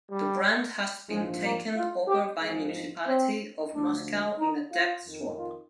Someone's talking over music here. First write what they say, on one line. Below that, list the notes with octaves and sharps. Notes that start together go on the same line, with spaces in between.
The brand has been taken over by municipality of Moscow in a dept swap.
G3
A#1 G#2 F3 G#3
A#3
F4
G4
G#1 G#2 F3 G#4
C4
D2 D3 F3 D4
D#4
F4
F2 D#3
F4